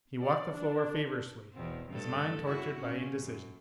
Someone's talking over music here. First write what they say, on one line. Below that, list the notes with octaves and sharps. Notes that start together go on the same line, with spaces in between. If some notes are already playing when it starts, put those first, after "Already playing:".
He walked the floor feverishly, his mind tortured by indecision.
D5
D4
E2 B2 C4
G2 A3 A4
E4 F#4
A#2 C#4
F#2